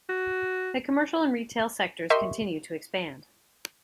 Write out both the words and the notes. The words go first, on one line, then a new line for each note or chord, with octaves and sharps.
The commercial and retail sectors continue to expand.
F#4
G4 A#4 D#5 E5 C6 C#6